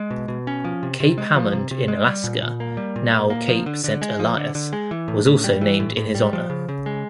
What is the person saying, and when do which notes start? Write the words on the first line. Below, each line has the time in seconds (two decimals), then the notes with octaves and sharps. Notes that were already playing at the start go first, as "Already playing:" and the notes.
Cape Hamond in Alaska, now Cape Saint Elias, was also named in his honour.
Already playing: G#3
0.11 B2
0.28 B2
0.47 C#4
0.65 F3
0.83 C3
1.00 C3
1.18 G#3
1.35 F3
1.53 C3
1.71 C3
1.88 G#3
2.06 G3
2.24 A#2
2.42 A#2
2.60 A#3
2.77 G3
2.96 A#2
3.13 A#2
3.30 A#3
3.48 F3
3.66 D3
3.84 D3
4.02 G#3
4.19 F3
4.37 D3
4.55 D3
4.73 G#3
4.91 E3
5.08 A2
5.26 A2
5.44 G3
5.61 E3
5.80 A2
5.97 A2
6.15 G3
6.33 F3
6.50 C#3
6.69 C#3
6.86 G#3